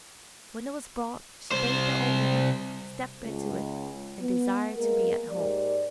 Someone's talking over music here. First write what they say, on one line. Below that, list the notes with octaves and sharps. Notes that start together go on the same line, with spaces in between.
When it was brought she bade the old woman step into it and desire to be at home.
C2 C5
C#2
B3
G#3 A#3 A#4
G#2 G4 A#4 D5